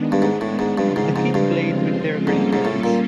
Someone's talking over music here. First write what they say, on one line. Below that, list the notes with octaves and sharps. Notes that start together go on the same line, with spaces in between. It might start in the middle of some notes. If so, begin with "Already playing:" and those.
The kids played with their grandparents.
Already playing: D#3 G#3 B3 D4
G2
G#2
A2
G#2
G2 C#3 F3 G#3 C4 F4
G#2
G#2
G2
G#2 G3 A#3 C#4 F4 A4
G#2
A2
A#2